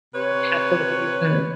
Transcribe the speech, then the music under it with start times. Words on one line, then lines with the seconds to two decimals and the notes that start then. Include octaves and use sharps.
you have to look at your phone?
0.14 C3 B4 C#5